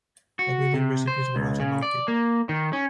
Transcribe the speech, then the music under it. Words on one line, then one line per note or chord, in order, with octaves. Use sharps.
Everyday recipes were also noted.
F#4
C3
C5
C#2
C#3
D5
A#3
D#3
C#4